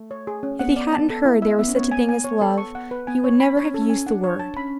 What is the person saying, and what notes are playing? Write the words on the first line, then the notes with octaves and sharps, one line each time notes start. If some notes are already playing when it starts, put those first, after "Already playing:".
If he hadn't heard there was such a thing as love, he would never have used the word.
Already playing: A3
C#5
G#4
C#4
B3 F#5
D5
A5
A4
E4
E5
B3 E5
C#4
B3 C#5
G#5
G#5
C#5
A4
C#6
F#5
B4
B3 G#5
C#5
B5
C#4 C#5
A4
C#4
G#5
D4 F#5
C#5
A5
C#4 B5